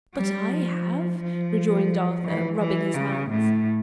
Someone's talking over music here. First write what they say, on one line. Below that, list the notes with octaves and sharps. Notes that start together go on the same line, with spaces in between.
'But I have,' rejoined Arthur, rubbing his hands.
G3
F3
F3
E3
E3
C#3
A2